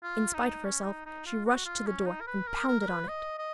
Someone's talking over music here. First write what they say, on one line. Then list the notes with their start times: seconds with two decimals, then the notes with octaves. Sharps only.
In spite of herself, she rushed to the door, and pounded on it.
0.03 F4
0.34 D#4
0.64 C#4
0.84 D#4
1.06 D#4
1.26 F4
1.45 F#4
1.65 F4
1.87 C#4
2.06 D#4
2.21 A#4
2.27 B4
2.47 A#4
2.68 A#4
2.80 A#4
2.88 B4
3.08 D#5
3.38 D#5